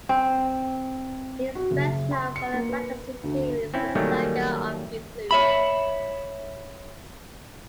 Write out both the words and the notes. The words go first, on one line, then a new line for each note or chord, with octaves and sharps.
He is best known for the fantasy series "The Saga of Recluce".
C4
F#4
F#1
C6
C#7
A#3
B4
D2
C4 C#4 E4
D#3 F#3 G3 A3 A#3 C#4
C#5 E5 B5